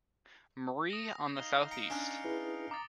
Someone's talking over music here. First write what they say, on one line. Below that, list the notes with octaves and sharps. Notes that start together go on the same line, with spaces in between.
Marie on the southeast.
D#6 A#6
D#4 F5 G7
A#5 C#7 D7
C#4 D4
E4 G#4 B4
A#5 D6 D#6 A6